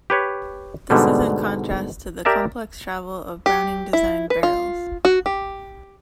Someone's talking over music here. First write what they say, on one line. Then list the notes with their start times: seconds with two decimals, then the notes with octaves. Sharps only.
This is in contrast to the complex travel of Browning designed barrels.
0.10 G4 B4 C#5
0.90 G#2 B2 D3 G3
2.25 G4 A#4 D5 E5 A5
3.46 G4
3.93 E4
4.30 B4
4.43 F4
5.05 F#4
5.26 G4